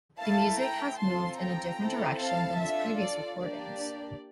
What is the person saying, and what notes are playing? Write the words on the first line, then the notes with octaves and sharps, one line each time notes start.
The music has moved in a different direction than his previous recordings.
A3 E4 A4 F5 A5
G5 A#5
C4 F4 A4 A5 C6
G5 A#5
C4 E4 A4
F5 A5
D4 F4 A4 E5
D5
A#3 D4 G4 D5